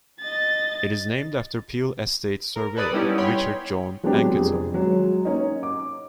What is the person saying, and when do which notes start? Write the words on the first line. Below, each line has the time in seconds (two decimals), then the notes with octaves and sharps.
It is named after Peel Estate's surveyor, Richard John Anketell.
0.20 D#5 A6
2.56 A#4
2.76 A4 B4 D5 D#6
2.93 G3 B3 C#4 D#4 E4 G4
3.18 C#5 G5 B5 C6
4.03 F#3 G#3 B3 C4 D4 G4
4.34 F2 G#4
4.74 F#3 G#3
5.25 A#3 C#4 D#4
5.63 D6